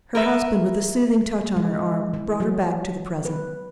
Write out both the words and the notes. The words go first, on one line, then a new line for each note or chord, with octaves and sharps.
Her husband, with a soothing touch on her arm, brought her back to the present.
A#4 B4 E5
G#3
E3
F#3
B4